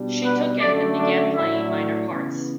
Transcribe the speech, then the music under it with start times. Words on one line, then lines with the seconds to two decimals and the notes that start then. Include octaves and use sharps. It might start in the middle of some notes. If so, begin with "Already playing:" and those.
She took it and began playing minor parts.
Already playing: B2 G3 D4
0.22 B3 B4
0.59 F#2 D3 A3 D4 D5
0.96 D4 D5
1.34 A2 F#3 A3 D4 E4 E5
2.08 C#3 E3 B3